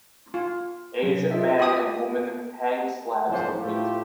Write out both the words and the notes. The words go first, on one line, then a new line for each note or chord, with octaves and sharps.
Asian man and woman hang slabs of meat.
F4
C3 F#3
F4 D#5 E5
G4 D#6
F#1 E2 G#2 F3 C5
A2 F3 A3 E4 F4 G4